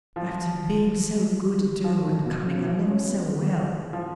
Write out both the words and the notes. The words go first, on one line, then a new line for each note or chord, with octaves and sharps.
'After being so good too, and coming along so well!
F3
F3
D#3
B2
C#3
F#3
F3
C#4
C#4
B3
G#3
F3